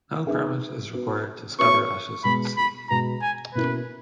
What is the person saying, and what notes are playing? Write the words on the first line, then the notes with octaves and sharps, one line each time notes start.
No permit is required to scatter ashes at sea.
B3 D#4 G#4 B4 E5
B3 F#4 B4
B3 F#4 C#5 E5 C#6
B2 G#3 B3 B5
B5
B2 G#3 B3 A#5
G#5
B2 A#3 C#4 E4 A#4 B4